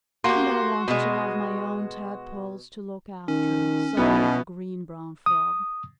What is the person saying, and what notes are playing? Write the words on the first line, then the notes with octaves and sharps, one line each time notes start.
"And I wanted to have my own Tadpoles to look after," sighed the Green Brown Frog.
A#3 F#4 G4 C6
B2 G#3
D#3 C#4
B1 B2 B3 E4
D#6